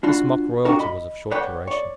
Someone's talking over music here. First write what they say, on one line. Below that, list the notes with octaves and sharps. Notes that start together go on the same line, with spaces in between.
This mock royalty was of short duration.
D4 F4 F#4
C4 D4 F4 F#4 A#4
D#5 B5
B4 C#5 D5 F#5 G5
C#5 D5